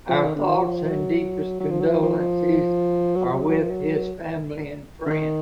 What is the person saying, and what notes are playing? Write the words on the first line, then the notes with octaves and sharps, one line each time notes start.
Our thoughts and deepest condolences are with his family and friends.
F3
D#3
D3
D#3
F3
F3
F#3
F#3
F3
F#3
F3
F3
F3
F#3
F3
F#3
F#3
F3
F#3
D3
D#3